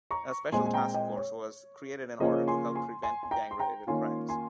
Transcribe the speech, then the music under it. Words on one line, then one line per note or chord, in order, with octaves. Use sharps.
A special task force was created in order to help prevent gang-related crimes.
A#5 C#6
A#2 G#3 C4 G#5 C6
G#5
G5 A#5
D#5 G5
C#5
C#3 F3 A#3 C#4 F4 C5 D#5
G#5 C6
G#5 C6
G#5 C6
G#5
G5 A#5
C6
G5 A#5
D#3 A#3 C#4 F4 G#5 C6
G#5 C6